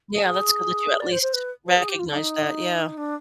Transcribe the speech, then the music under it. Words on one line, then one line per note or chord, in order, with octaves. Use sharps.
Yeah, that's good that you at least recognize that, yeah.
G#4
G#4
D5
C5
C5
B4
C5
G#4
G4
F4
D4
D#4
D4